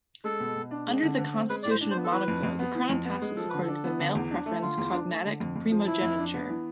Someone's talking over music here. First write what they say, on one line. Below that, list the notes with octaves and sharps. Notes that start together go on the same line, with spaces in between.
Under the constitution of Monaco, the crown passes according to male-preference cognatic primogeniture.
G#3 A4
B2
B2
D4
G#3
D3
D3
C4
G#3 B4
A2 D5
C5
D4
C5
B3
A4
E3 B4
F2
F2
B3
E3
F2
B3
G#3
F3 A4
D3 B4
A4
D4
B3
D3
E2
D4
A3
D3 F4
E2
D4
A3
D3
F2
F2
F3
E3 E4
F2
D4
B3
E3